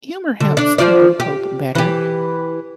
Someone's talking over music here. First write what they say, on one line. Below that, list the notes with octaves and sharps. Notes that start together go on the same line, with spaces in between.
humor helps people to cope better,
D3
D4 D5
F3 F4 D5
G4
E3 G4